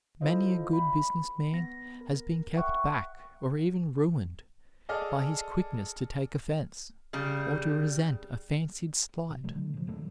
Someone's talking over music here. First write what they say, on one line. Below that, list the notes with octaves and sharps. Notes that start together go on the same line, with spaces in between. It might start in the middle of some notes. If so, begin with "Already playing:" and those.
Many a good business man has been kept back, or even ruined, by his quickness to take offense, or to resent a fancied slight.
E4 F4 A4 C5 D#5 F5
B5
B3 A#6
A#4
E5 F#5 G5 C#6 F#6
G#4 A4 D5 D#5 G#5 F6
C#3 G3
B2
F3 F#3 A3
D3
A#2 F3
E1 D#3 F#3 A3